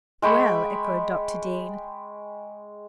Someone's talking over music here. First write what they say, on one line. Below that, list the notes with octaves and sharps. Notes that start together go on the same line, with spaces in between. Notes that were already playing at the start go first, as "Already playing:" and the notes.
"Well," echoed Dr. Dean.
G#3 G5 B5 C#6